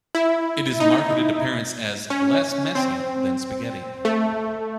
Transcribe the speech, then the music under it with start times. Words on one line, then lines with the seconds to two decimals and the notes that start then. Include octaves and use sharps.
It is marketed to parents as "less messy" than spaghetti.
0.15 E4
0.80 D#4
2.10 C#4
2.75 C4
4.05 A3